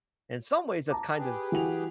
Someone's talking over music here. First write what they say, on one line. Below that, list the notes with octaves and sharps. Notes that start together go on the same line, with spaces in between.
In some ways, that's kind of, I
A5 A#5 D6
G4 G#4 B4
E3 F#4 F7